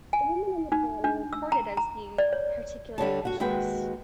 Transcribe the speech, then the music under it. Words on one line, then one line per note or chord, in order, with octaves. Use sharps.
The women in the crowd were reported as being particularly vicious.
G#5
D#4
D4
E6
A#5
A#5
D5
C#5
D3 G3 C#5 A5
F#4 F#5
D#2 G#3 F#4 B4 G5